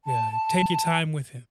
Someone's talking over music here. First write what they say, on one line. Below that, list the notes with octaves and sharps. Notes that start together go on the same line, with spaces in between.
yeah, take your time with him.
A5